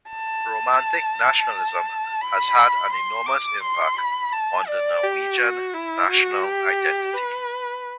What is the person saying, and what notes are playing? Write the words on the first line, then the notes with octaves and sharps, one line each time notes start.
Romantic nationalism has had an enormous impact on the Norwegian national identity.
A5
B5
C6
D6
C6
B5
A5
D5
G4
F#4
E4
F#4
G4
B4